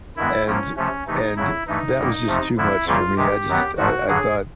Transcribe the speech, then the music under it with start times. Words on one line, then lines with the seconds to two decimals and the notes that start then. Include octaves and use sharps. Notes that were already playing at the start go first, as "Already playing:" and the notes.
and and that was just too much for me, I just I I thought
0.16 G2 D#3 G#3 B3 E4
0.46 A2 F3 A#3 C#4
0.76 C3 F3 A3 C#4
1.07 C3 E3 A3 D#4
1.36 F2 C#3 F#3 E4
1.67 G2 E3 A3 D#4
1.97 F#2 D#3 G3 A#3
2.27 F2 C3 F3 A3
2.57 F2 D3 F3 E4
2.87 F2 C#3 E3 G3 A#3 F4
3.17 C3 D#3 G#3 G4
3.48 F#2 D#3 F#3 B3
3.77 G#2 F3 A3 F#4
4.08 G2 D3 F#3 G#4